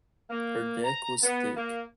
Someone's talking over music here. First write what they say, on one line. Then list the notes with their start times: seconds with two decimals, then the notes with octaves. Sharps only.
Her deck was thick.
0.30 A#3
0.84 A#5
1.23 B3
1.56 A#3